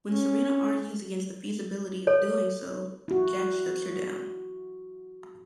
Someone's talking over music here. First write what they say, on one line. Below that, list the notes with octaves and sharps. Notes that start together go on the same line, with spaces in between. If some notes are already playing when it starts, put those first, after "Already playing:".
When Sarina argues against the feasibility of doing so, Jack shuts her down.
C#4
A4 C#5
E4 F#4